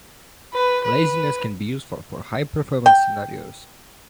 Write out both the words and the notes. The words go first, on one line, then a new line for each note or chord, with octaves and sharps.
Laziness can be useful for high performance scenarios.
B4
B4
G5